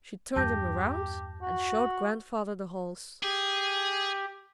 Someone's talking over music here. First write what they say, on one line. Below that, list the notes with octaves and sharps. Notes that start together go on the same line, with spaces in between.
She turned him around and showed Grandfather the holes.
E2 G2 G4 A5 G6 A#6
F#4
G4 G#4